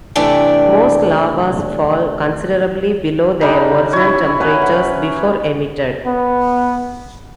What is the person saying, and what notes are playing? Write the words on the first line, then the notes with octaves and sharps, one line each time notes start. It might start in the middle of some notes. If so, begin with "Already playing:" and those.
Most lavas fall considerably below their original temperatures before emitted.
C3 E3 A3 D4 D5 G5
C#3 G3 D4 D#4
E4 C#5
F#3 B3 C#4 B4
F#5
B3